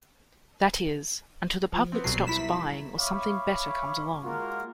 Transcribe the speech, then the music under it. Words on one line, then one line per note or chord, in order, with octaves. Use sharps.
That is, until the public stops buying or something better comes along.
F3
B3 C4
C2 B2 F#3 G3 C7
E4 B6 E7
C#5 E5 F5 B5 C#6 D6
G#3 A#3 F4 F#4 A#4 F5